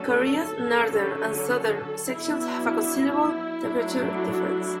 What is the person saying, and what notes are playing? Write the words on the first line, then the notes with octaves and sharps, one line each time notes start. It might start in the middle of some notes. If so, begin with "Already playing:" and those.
Korea's northern and southern sections have a considerable temperature difference.
Already playing: D3 F#3 A3 C#4 A4
D3 F#3 C#4
A4
F#3 B3 D4 E4
F#3 A3 D4
E4